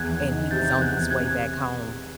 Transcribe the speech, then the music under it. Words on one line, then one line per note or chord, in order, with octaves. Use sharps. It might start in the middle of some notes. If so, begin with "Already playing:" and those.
And he was on his way back home.
Already playing: E2 F#6 G#6
E2
D#3
C3 G6 A6
E2
F#6 G#6
E2
C3 F#6 G#6